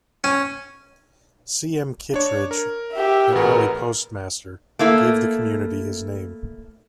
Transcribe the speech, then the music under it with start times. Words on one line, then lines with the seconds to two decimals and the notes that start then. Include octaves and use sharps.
C. M. Kittredge, an early postmaster, gave the community his name.
0.24 C#4
2.14 D4 C#5
2.51 A#4
2.93 G4 E5
3.35 A1 B3 F#4 G#4 A#4
4.79 A3 A#3 E4